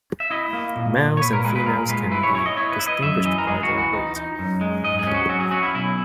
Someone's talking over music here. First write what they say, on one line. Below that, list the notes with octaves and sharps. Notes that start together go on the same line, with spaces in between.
Males and females can be distinguished by their weight.
E5
E4 D#5
A#3
A#2
A#2
C#5
A#2 B4
A#4
G#3 B4
B4
A#2 A#4
G#3 B4
E4 B4
C#5
E4 C#5
D#5
E4 C#5
B4
E4
D#5
F#2 E5
E3 D#5
A#4
G#3 G#4
F#4
E3
F#4
D#4
D#4
F#2
G#3
G#2 D#5
G#4
C#4
F#4
F#3 F#4
G#4
C#4 F#4
E4
B1 E4